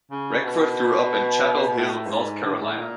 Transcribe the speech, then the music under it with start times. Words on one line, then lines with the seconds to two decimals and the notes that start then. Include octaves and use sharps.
Reckford grew up in Chapel Hill, North Carolina.
0.11 C#3
0.44 B2
1.77 A2
2.07 G2
2.11 G#2
2.44 D3
2.53 A2
2.61 G#2
2.69 A2
2.78 A#2